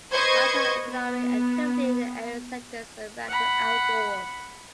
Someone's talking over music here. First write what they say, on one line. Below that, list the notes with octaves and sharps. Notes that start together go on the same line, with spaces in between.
Much of the economic activity in the area centers around the outdoors.
B4 C5 D#5 C#6 G#6
B3
F#5 B5